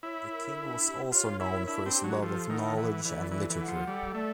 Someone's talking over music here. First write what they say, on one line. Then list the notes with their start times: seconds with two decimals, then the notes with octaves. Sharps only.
The king was also known for his love of knowledge and literature.
0.02 E4 C#5
0.30 A#4
0.57 D4
0.85 G4
1.12 F4 C#5
1.40 E4 A#4
1.67 D4 E4
1.86 C4
1.95 G4
2.04 F#3
2.22 F3 A4
2.50 D#3 F#5
2.77 E3 A4
3.04 E3 D5
3.31 E3 A4
3.50 E3
3.59 F#5
3.68 F3
3.87 G3 A4
4.14 A3 D5